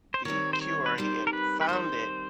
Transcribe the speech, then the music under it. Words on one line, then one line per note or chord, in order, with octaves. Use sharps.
the cure he had found it,
C5
D#3 G3 C4 C#5
C5
C#5
B4
D#3 G3 C4 C5
A#4
B4
B4
D#3 G3 C4 C5